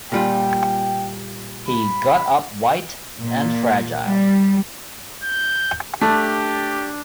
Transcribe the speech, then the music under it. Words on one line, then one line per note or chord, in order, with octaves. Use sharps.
He got up white and fragile.
A#2 G3 F4 G5
B5
A#2
G3
G6
A3 D4 G4